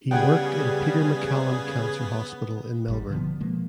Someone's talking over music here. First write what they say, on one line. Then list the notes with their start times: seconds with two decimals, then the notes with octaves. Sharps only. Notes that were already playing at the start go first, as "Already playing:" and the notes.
He worked in Peter Maccallum Cancer Hospital in Melbourne.
0.11 C#3 G3 B3 G#4 F#5 G5 G#6
2.88 G#1 G#2 G3
3.10 B2 D3 F3 B3
3.40 B2 F3 G#3 A#3